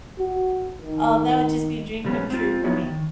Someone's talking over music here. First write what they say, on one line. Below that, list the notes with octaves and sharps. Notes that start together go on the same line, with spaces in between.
oh, that would just be a dream come true for me.
F#4
D#3
A#2 F3 G3 A#3 B3 C#4
C4 F4
F3 B3 D#4 E4 F#4 C#5
D#3